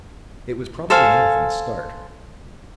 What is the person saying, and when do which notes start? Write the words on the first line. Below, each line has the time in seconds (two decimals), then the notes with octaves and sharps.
It was probably in him from the start.
0.90 A4 C5 F5 G#5